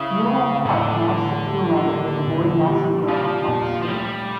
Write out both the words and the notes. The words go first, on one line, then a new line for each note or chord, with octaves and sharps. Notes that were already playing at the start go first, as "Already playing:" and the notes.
Millwall Park now sits on the land where the Lord Nelson Ground once stood.
Already playing: C#3 C#4 E4
A3
A2 D3
E3
G3
A#3
A#2
G3
F3 D4
A#2
F3
G3 A3